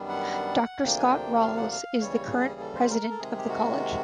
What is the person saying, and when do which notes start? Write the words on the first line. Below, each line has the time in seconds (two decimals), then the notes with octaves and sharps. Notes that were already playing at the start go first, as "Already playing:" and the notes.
Doctor Scott Ralls is the current president of the College.
Already playing: F#2 D#3 G3 B3 D4
0.09 F#5
0.82 D2 C3 F3 A#3 D4 G5
0.98 G#5
1.12 G5
1.35 F#5
1.42 F5
1.57 F#5
1.72 F5
2.01 D#2 C#3 E3 G3 C#5
2.31 G#4
2.60 A4
2.75 C5
2.90 A#4
3.10 A4
3.19 C3 D#3 G#3 G#4
3.38 G4
3.49 F#4